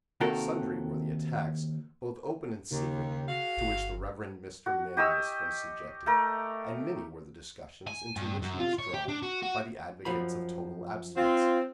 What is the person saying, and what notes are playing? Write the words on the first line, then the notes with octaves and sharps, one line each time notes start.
Sundry were the attacks, both open and secret, to which the Reverend Mr. Manlius was subjected, and many were the discussions into which he was drawn by the advocates of total abstinence.
D#2 C3 D#3 F#4 A4 A#4
D#2 C#3
F#4 G#4 F5
G1
F#4
G4 D#5 C#6 E6
A3 A#4
G#5
G2
F#2
F4
C#5
G4
D4
F#4
F#4
F#2 F3 B5
C4 F4